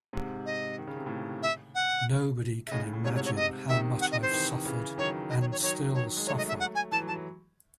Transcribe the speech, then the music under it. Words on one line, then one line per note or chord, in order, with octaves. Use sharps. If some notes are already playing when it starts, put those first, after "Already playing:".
Nobody can imagine how much I've suffered, and still suffer.
G#2 C3
D#5
D#3
C#3
C3
A2 C#3
E5
F#5
E5
A2 C#3 D#5
A2
A2
G#2 C3 C#5
C#5
C#5
D#5
C3 D#3 E5
F#5
D#5
C5
E3
C3 D#3
C#3 E3
D#3 F#3 C#5
D#5
C#5
C#5
D#3 F#3 C#5
C#5
G#3
F#3 A3 C#5
D#5
E5
F#5
G#5
E3 A5
F#3
E3 A5
F#3